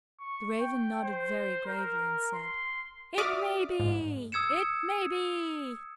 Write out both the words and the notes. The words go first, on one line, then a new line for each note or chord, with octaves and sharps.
The Raven nodded very gravely, and said, "It may be--it may be!"
C#6
G5
C5
A#4
C6
F#4 D5 E5 D6 D#6 F6
G#2
D#6 E6 G#6 C#7 E7